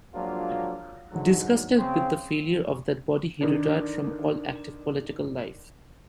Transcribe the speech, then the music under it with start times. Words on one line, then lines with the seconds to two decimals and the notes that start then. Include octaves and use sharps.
Disgusted with the failure of that body, he retired from all active political life.
0.13 F3 F#3 G#3 A#3 D4 F4
1.11 G#2 D3 F#3
1.76 C#3 C4
3.41 D3 D#3 D4